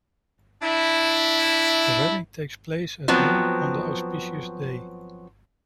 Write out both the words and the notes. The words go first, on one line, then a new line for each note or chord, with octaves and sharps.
The wedding takes place at noon on the auspicious day.
D4 E4
F3 F#3 B3 C4